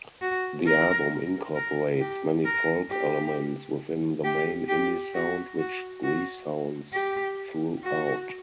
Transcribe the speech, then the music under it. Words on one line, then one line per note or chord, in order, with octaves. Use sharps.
The album incorporates many folk elements within the main indie sound which resounds throughout.
F#4
A#4
A#4
G4
A#4
G4
G4
G4
F#4
F#4
F#4
G4
F#4